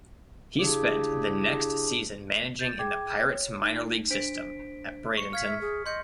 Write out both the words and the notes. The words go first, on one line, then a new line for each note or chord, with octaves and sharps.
He spent the next season managing in the Pirates' minor league system at Bradenton.
C#3 D4 E4 G4 G#4
G6 A6
G#4 G5 D6 G#6
C#5
D#4
D4 C5 B6 D7
C#6 C#7
F5 F6 G#6 B6
E5
G#4
D#5 C6 G6 C#7